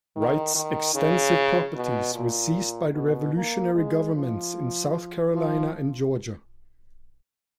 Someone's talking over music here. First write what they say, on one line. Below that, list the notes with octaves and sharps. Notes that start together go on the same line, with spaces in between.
Wright's extensive properties were seized by the revolutionary governments in South Carolina and Georgia.
D#3
D#3
C#3
B2
A#2
B2
A#3
G#3
F3
F3